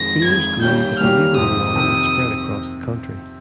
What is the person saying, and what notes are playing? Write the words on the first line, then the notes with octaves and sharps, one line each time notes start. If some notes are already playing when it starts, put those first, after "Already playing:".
Fears grew that the labor war would spread across the country.
Already playing: F2 D#3 G#3 A#6
F2 D#3 G#3 G#6
D#3 G3 A#3 C#4 G4 G6
D#3 G3 A#3 C#4 G4 F6
F2 C3 D#3 D#6
C3 D#3